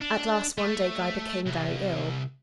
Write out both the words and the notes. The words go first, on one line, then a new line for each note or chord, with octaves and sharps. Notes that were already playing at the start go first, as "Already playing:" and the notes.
At last one day Guy became very ill.
D4
A3
C2